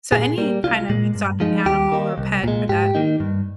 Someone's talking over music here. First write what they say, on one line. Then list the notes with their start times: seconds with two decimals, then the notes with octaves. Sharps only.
so, any kind of exotic animal or pet for that
0.12 A#2 G#4
0.38 G3 A#3
0.64 C2 F4
0.90 A#2 G#3
1.15 G2
1.40 F3 G#3 D#4
1.66 D#2 G4
1.92 D#3 A#3 D#4
2.18 C2
2.44 A#2 G#3
2.69 G#2 G4
2.95 D#3 A#3 D#4
3.20 G2